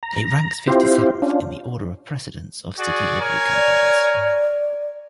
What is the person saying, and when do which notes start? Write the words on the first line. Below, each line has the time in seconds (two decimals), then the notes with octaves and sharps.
It ranks fifty-seventh in the order of precedence of City Livery Companies.
0.03 A#5
0.67 C4 E4 F4 G4 C5
1.22 C#4 D4 F4
2.77 F#4 G#4 D5
3.20 A#4 C#5 G#5
3.54 D5